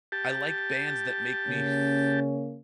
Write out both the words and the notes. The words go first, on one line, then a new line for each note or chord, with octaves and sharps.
I like bands that make me f
G4 A5
C#3 A#3 C#4